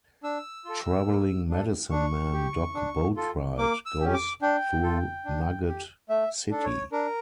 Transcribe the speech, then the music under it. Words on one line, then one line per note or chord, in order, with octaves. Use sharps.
Traveling medicine man Doc Boatwright goes through Nugget City.
D4 E6
F4 A4
A#3
D4 A4
D4 C#6
G4
D4
F4 A4
A#3 D6
E6
C#4 G4
D6
D4 G5
F4 A4
D4
G4
A3 E5
D4 A4
C#5
D4 A#4